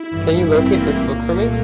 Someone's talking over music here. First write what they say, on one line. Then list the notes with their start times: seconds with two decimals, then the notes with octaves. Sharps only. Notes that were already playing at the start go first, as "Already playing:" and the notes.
Can you locate this book for me?
Already playing: E4
0.11 A1 G2 E3
0.54 C4
0.75 A#3
0.85 A#3
0.96 C2 A#2
1.39 A3